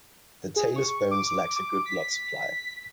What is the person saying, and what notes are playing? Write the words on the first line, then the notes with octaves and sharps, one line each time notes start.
The talus bone lacks a good blood supply.
G#4
C#6
D6
D6
B6